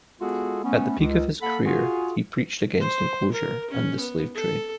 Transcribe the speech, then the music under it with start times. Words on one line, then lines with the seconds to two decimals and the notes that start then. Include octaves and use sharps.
At the peak of his career, he preached against enclosure and the slave trade.
0.20 G#3 B3 F4 F#4 G#4 A4
0.64 A3 B3 C#4
0.99 C#2
1.42 A#3 A4 F#5 B5
1.66 F4 F#4 G#4
2.80 C5
3.31 A#4
3.70 C#4
4.00 B3
4.34 A4